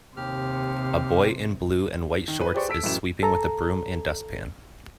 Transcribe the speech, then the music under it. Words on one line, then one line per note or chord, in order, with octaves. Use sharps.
A boy in blue and white shorts is sweeping with a broom and dustpan.
D#2 C3 G4 F6
D#3
B4
G4 G#4 B4 C5 D5 C#6
A4 E6 B6 D7
A1 F#2 A3 E4 E7
A4 A#5